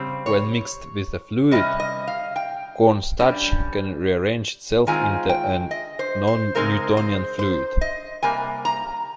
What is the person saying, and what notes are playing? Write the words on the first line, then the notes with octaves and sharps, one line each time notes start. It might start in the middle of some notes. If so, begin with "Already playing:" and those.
When mixed with a fluid, cornstarch can rearrange itself into a non-Newtonian fluid.
Already playing: C#3 G3 C4
C#5
C3 G3 C#4 D#5
D#5
F5
G5
G2 G3 C#4
D#3 G#3 C4 F4 G#5
G5
D#5
C5
C5
C#3 G#3 C4 D#4 A#4
C5
C5
D#5
C3 G3 A#3 G#5
A#5